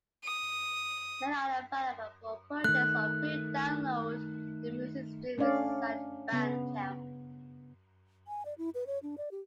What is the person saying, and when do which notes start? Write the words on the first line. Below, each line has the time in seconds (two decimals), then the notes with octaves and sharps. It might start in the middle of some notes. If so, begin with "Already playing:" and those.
Many are available for purchase or free download on the music streaming site Bandcamp.
0.25 D#6
2.64 D#3 A3 F#6
5.38 A3 C#4 D4 D5 F5
6.32 C#3 B3
8.28 G#5
8.45 D5
8.58 E4
8.75 B4
8.87 C#5
9.03 D4
9.18 D5
9.31 G4